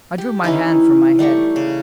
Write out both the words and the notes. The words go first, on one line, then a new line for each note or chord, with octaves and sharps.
I drew my hand from my head.
G4
E3 C#4 D#4 E4
G3 A3 G4 C#6
C#3